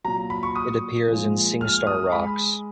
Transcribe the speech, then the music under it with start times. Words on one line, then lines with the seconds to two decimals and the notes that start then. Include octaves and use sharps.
It appears in SingStar Rocks!
0.05 A#2 F#3 A#5
0.30 B5
0.43 C#6
0.55 D#6
1.08 A#2 F3 G#3
1.61 F6
1.87 D#6
2.12 G#3 B5